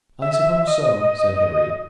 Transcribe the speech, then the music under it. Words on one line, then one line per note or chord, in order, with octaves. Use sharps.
"I suppose so," said Harry.
E5
D#5